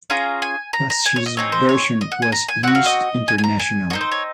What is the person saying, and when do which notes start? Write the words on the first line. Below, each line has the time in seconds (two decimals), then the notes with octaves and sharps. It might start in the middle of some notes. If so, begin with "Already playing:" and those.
Pasche’s version was used internationally.
0.10 C#4 F4 G#4 A#5
0.42 G#5
0.73 A#5
0.90 A#5
1.06 G#5
1.16 C#5
1.26 D#5
1.37 C4 D#4 G#4 C#5
1.52 C5
1.69 C#5
2.01 D#5
2.12 F#5
2.22 G#5
2.32 A#5
2.48 G#5
2.63 C4 F#4 F#5
2.75 F5
2.86 D#5
3.28 G#5
3.38 G#5
3.44 A#5
3.59 G#5
3.90 C4 D#4 F#4 D#5
4.01 C5
4.12 C#5